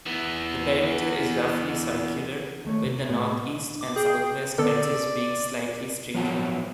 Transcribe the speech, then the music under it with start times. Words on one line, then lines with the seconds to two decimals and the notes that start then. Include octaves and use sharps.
The perimeter is roughly circular, with the northeast and southwest edges being slightly straightened.
0.06 E3 B3
2.65 D#2 A3 C#5
2.85 C3
3.09 A2 B3 G#4
3.81 D6
3.96 G#4 G5
4.58 D3 B3 A4 D5
6.14 F3 F#3 B3 G#5 A5